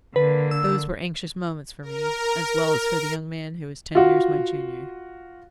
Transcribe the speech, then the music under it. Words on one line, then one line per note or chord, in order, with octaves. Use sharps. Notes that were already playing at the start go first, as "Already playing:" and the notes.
Those were anxious moments for me, as well as for the young man who was ten years my junior.
D3 A#3 B4
E6
A#4
F4 F#4